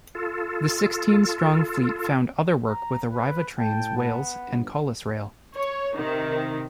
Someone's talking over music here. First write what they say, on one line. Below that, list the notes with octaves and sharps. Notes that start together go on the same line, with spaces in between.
The sixteen strong fleet found other work with Arriva Trains Wales and Colas Rail.
F4 A4
A#5
B4
A2 G5 A5
B3
G1
C#5
C3 D#3